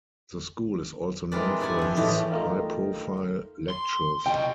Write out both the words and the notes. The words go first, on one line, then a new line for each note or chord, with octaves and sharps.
The School is also known for its high-profile lecturers.
E3 G#3 C4 A#4 B4 D5
G2 B3 D5 F#5 G#5
F2 A4
E2 A2 E3 G4 D#5
A3 D#4 F4 A#4 F5 G5
C6
C3 D#5 G5